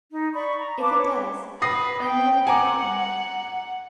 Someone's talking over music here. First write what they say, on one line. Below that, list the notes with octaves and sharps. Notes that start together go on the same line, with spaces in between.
If it does, I know what will happen.
D#4
D5 B5 C#6
A#5
B4 F5 A5 D6
C#5
B4 D#6 A#6 C7
G5
F#5 G#5 A#5 D6